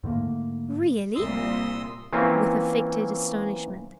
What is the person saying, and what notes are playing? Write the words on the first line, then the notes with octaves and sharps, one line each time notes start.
"Really!" with affected astonishment.
G#2 D3 A3 A#3
C2 A#2 C6 D#6 E6
E3 A#3 C4 C#4 F4